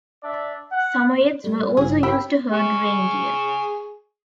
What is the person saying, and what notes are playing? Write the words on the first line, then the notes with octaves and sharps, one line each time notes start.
Samoyeds were also used to herd reindeer.
D4 D5 E5
F#5
G3 A4
G#1 G2 C#3 E4 G#4
G4 G5 B5 E6
G#4 C#6